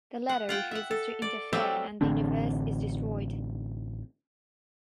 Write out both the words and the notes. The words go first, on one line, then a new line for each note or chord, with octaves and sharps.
The latter refuses to interfere and the universe is destroyed.
F#5
F4 F#5 G5
E5 F#5
A4
D5
F#3 G3 A3 C4 E5
A1 D3 C4 D4